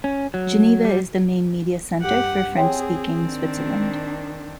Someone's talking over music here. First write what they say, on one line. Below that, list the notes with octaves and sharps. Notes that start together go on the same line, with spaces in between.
Geneva is the main media centre for French-speaking Switzerland.
C#4
F#3
G3
G2 G4 F#5
C4 G#4 C#5 G5 C6
D#3 D4